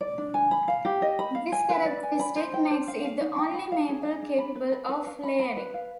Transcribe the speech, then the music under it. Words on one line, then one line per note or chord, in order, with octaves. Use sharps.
This characteristic makes it the only maple capable of layering.
D5
D4
G#5
B5
F5
G4
D#5
B5
F5
G#5
B4
D5
G#5
B5
C5
G5
C5
F5
F5
D#4
G5
B5
F5
G#4
G#4
D4
B5
B4
B5
B4
F5
B5
B5
B4
F5